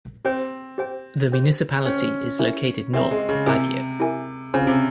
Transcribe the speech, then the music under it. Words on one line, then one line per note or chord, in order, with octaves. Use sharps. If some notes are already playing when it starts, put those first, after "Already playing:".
The municipality is located north of Baguio.
C4 G4 C5 G5
G4 C5 G5
G4 C5 G5
C#4 G4 C5 G5
E4 G4 A#4 E5 G#5
C4 E4 G4 A#4 E5 G#5
G#3
C#3
C3 E4 G4 A#4 E5 G#5
E4 G4 A#4 E5 G#5
C#3 C4 F4 C5 F5 G#5
C3